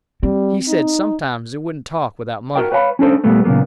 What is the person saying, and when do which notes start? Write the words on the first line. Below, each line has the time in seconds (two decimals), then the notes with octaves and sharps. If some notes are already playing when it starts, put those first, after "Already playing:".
He said sometimes it wouldn't talk without money.
0.23 G3 C4
0.68 D#4
2.56 F#4 A#4 G5
2.72 B4 C#5 F5 G5 B5
2.99 C#4 D4 A4 C5
3.24 D#2 A#2 G3 A3 B3
3.44 A#2 C#3 F#3 A#3 B3